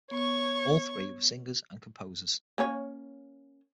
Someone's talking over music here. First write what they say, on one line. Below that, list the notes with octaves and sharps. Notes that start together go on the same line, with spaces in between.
All three were singers and composers.
B3 C#5 C#6
A#3 C#4 C#5